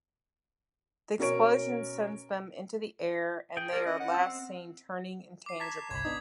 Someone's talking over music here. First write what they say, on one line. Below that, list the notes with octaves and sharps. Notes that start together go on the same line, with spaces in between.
The explosion sends them into the air and they are last seen turning intangible.
B2 C#4 A#4 C#5 C#6 D7
G#4 G5
G#4 A#4 D5
C#4 D#5
F#5
C4 E6
D6 C7
A5 A#5 C#6 G#6 B6 E7
G1 C2 B5 G#6
B3 D4 D#4 D#6